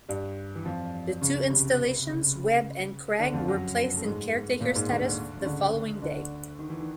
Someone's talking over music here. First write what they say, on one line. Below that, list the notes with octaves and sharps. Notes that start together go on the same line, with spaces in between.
The two installations, Webb and Craig were placed in caretaker status the following day.
G2 G3
E3
F2 F3
C#2 C#3
C2 C3
C#2 C#3
D2 D3
F2 F3
F#2 F#3
A3
G#2 G#3
A#2 A#3
G#2 G#3
D2 D3
C#3
D2 D3
D2 D3
D#3
E3
D#3